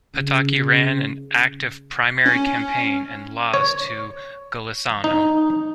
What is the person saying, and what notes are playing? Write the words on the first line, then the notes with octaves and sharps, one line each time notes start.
Pataki ran an active primary campaign and lost to Golisano.
C#3
C#4
C#5
D#4